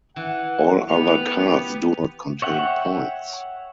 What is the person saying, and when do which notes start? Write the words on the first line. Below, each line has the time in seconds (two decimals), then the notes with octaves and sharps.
All other cards do not contain points.
0.16 E3 F#5
0.89 B3 G4 F7
2.42 C#5 E5 F#5 G5